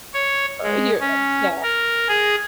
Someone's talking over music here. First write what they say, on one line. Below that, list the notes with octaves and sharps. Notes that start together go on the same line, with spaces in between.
Ah, here, yeah,
C#5
G#3
C#4
A#4
G#4